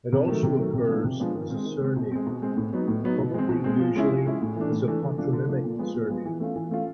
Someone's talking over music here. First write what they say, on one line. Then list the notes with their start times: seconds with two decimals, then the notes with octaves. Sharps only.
It also occurs as a surname, probably usually as a patronymic surname.
0.13 C3
0.28 D#3 F#3 A3
0.43 C3
0.58 D#3 F#3 A3
0.73 C3
0.89 F3 G#3 B3 D4
1.04 C3
1.20 F3 G#3 B3 D4
1.35 D#3
1.50 G#3 C4
1.65 D#3
1.81 G#3 C4
1.96 B2
2.11 G#3 C4
2.27 B2
2.42 G#3 C4
2.57 A2
2.73 F#3 B3 D#4
2.88 A2
3.04 F#3 B3 D#4
3.19 B2
3.34 G#3 C4
3.49 B2
3.64 G#3 C4
3.79 F3
3.95 G#3 C#4 E4
4.11 F3
4.26 G#3 C#4 E4
4.42 A2
4.56 E3 A3 D4
4.72 A2
4.87 E3 A3 D4
5.03 D3
5.18 F3 A3 D4
5.33 D3
5.48 F3 A3 D4
5.64 A#2
5.79 F3 G#3 B3
5.94 A#2
6.10 F3 G#3 B3
6.25 E3
6.40 A3 C#4 F4
6.56 E3
6.71 A3 C#4 F4